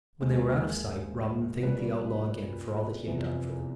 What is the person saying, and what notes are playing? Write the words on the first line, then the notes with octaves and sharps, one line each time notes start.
When they were out of sight, Robin thanked the outlaw again for all that he had done for them.
D#2 D#3 G#3 C5
C2 A#2 G3 B4
E2 C3 F3